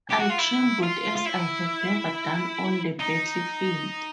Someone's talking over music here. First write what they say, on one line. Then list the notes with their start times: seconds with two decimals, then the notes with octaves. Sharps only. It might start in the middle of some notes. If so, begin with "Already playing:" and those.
I trembled as I have never done on the battlefield.
0.10 G4
0.19 F#4
0.30 F4
0.39 E4
0.82 F4
1.15 F4
1.25 E4
3.00 D#4